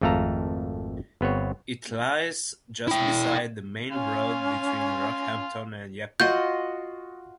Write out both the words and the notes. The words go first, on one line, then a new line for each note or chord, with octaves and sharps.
It lies just beside the main road between Rockhampton and Yeppoon.
G#1 F2 A3 A4 F5 A#5
G1 B3 C4 C#5
E4 G5
C#4 F5 G#5 C6
F4 F#4 D#5 G6